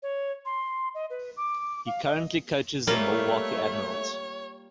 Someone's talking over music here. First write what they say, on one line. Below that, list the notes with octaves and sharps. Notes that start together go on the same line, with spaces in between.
He currently coaches the Milwaukee Admirals.
C#5
C6
D#5
B4
D6
F5
D#5
G3 A3 A#3 F4 C#5